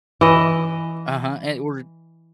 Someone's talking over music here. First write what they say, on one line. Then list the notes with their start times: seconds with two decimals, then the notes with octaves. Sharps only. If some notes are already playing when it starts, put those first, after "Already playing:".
Uh-huh, and or
0.21 E3 D#5